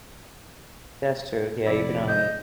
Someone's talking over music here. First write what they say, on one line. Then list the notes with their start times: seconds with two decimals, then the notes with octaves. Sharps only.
That's true, yeah, you can only
1.66 F1 E4 D5
2.08 D#5 G6